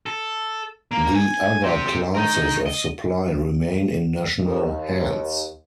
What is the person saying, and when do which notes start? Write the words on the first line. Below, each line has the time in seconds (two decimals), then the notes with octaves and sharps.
The other classes of supply remain in national hands.
0.06 A4
0.91 A#3
1.15 G#5
1.64 C4 G4
2.15 D#4 A#4
2.66 D#5
4.45 D#2